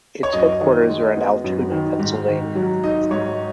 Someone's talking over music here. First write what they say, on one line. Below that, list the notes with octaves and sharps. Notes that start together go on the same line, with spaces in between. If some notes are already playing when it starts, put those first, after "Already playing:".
Its headquarters are in Altoona, Pennsylvania.
C#5
F#2 D#5
D#3
G#3
B3
F#2
D#3
G#2
D#3
F#3
D#4 D#5
G#2 C#5